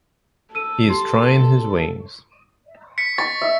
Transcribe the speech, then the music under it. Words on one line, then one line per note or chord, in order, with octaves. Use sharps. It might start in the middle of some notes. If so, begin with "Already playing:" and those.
He is trying his wings.
A4 E6 D#7
G4 C6
B6 C#7
C#6 A6
E5